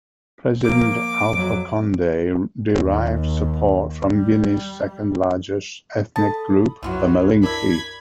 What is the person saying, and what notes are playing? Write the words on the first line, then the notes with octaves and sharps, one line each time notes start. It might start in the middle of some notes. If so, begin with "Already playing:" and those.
President Alpha Conde derives support from Guinea's second-largest ethnic group, the Malinke.
F3 A#3 D6
F2 F#3
D#2
G3
A4 A5 B5 D#6
C2 F#2 E3 F#3 F4 F#4
D4 E4 A#4 B5 G#6